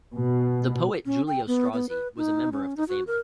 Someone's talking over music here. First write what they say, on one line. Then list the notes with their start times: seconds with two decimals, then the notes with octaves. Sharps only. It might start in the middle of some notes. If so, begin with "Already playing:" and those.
The poet Giulio Strozzi was a member of the family.
0.16 B2
1.06 C#4
1.27 G5
1.47 B3
1.73 B3
1.89 B4
2.17 D#4
2.52 C#4
2.77 D#4
2.89 F#4
3.07 A#4